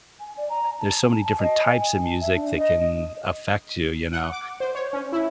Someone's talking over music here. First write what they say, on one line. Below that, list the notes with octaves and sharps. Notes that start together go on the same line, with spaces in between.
There's so many different types of music that can affect you, you know.
G#5
D5
A#5
A5
G#5
A5
D#5
G#5
A5
E5
D4
D#5
F#5
D6
C5
C#5
C#4
E4